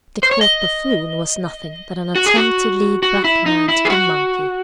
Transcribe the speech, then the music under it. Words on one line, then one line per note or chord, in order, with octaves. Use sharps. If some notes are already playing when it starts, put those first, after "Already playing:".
The Court buffoon was nothing but an attempt to lead back man to the monkey.
C5
C#5
D#5
F#4
G#4
F#4
F#4
E4
D#4
E4
G#4
F#4